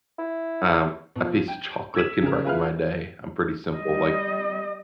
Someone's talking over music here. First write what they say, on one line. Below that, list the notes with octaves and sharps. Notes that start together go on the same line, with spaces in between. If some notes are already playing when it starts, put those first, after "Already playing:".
Um, a piece of chocolate can brighten my day, I'm pretty simple, like,
E4
B2 F3
G5
E6 G#6 B6 E7
C#3 G#4 A#4
F4 G#4 B4 E5 F5 F6
G3 D#5